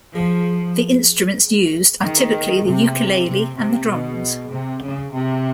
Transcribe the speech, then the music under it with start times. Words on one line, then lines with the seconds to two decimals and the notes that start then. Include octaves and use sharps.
The instruments used are typically the ukulele and the drums.
0.15 F3
2.03 D#3
2.65 C3
3.27 C3
3.57 C3
3.89 B2
4.51 C3
4.82 C#3
5.13 C3